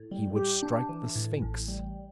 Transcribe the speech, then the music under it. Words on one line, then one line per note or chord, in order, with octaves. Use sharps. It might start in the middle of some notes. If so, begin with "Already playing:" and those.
He would strike the Sphynx.
Already playing: A2
G3
G4
D4
E3
A2
A1
G3